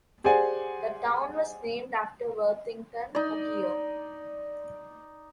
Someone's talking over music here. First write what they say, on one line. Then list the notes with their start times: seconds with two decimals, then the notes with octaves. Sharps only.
The town was named after Worthington, Ohio.
0.24 G4 G#4 C5 D5 F#5 G#5
3.15 D#4 D5